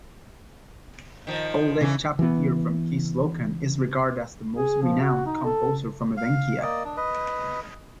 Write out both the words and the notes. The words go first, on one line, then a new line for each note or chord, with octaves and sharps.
Oleg Chapogir from Kislokan is regarded as the most renowned composer from Evenkia.
D#3 F3
C#3 E3 C#4
E3 B3
G#4
F3
F#4
D#4
A4
F5
A#3 D5 D#5
D4
B4 D#5